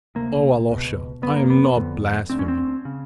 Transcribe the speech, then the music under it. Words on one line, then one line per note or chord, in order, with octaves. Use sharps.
Oh, Alyosha, I am not blaspheming!
D2 C3 A#3
C#2 B2
F#2 D3 B3
A#3
B3
F2 D3
D2 D3 C4
C#4
C4
C#3